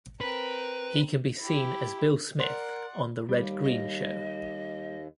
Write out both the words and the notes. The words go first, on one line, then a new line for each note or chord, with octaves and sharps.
He can be seen as Bill Smith on "The Red Green Show".
C4 A#4 B4
E4 G4
A#4 D5 F#5 C6
D#2 G3
D#5